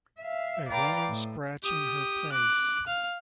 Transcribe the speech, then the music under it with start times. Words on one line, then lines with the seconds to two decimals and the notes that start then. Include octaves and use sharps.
A woman scratching her face.
0.19 E5 F5
0.68 B4 D5 F5 G5 A#5 D6
1.08 A2
1.64 G4 D#6
2.32 D6 F#6
2.87 F5